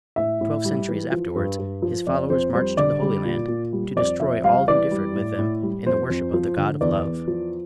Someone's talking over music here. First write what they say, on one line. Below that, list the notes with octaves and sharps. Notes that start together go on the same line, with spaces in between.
Twelve centuries afterwards his followers marched to the Holy Land to destroy all who differed with them in the worship of the God of Love.
A2 E5
A2
G3
E3
F3
G2
G2
F3
F2 D5
F2 C5
G3 C5
D3 D5
G3
A#2
A#2
G3
F2 D5
F2 E5
G3 F5
E3 D5
G3
A2
A2
G3
F2 C5
F2
F3
D3
E2 D5
E2
F3